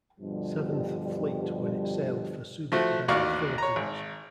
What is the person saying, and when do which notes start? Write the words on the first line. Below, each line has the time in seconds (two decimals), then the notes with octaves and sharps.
Seventh Fleet when it sailed for Subic Bay, Philippines.
0.20 G2 B2 D3 F3 G3
2.72 F3 A3 F#4
3.08 A1 D#2 F#4 D5 F5 C#6
3.58 C#5 A#5
3.76 G#1